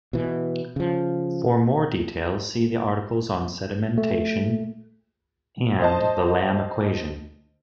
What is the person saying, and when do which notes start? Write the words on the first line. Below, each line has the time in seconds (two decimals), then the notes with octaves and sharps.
For more details, see the articles on sedimentation and the Lamm equation.
0.13 B2 E3
0.76 C#3 F3
3.98 A3
5.79 C5 D#5 A5